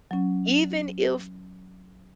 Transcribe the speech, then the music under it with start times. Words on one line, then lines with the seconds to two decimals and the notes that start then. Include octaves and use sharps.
even if
0.11 F#3 C#4